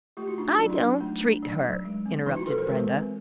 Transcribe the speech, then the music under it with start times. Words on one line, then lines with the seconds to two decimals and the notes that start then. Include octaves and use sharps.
"I don't treat her," interrupted Brenda.
0.17 A3 F4 G4
0.27 E4 F#4
0.38 D4 D#4 F4
0.48 D#4 F4
0.59 F#3
0.69 D4 E4
0.79 F#3 D#4
1.00 A3 D#4
1.21 D4
1.43 F#3 D#4
1.63 F#3
1.85 G#3
2.06 C4
2.26 E3 D#4 F4
2.36 E4 F#4
2.47 E3 A4 B4
2.58 A#4 C5
2.68 G#3 A4 B4
2.89 C4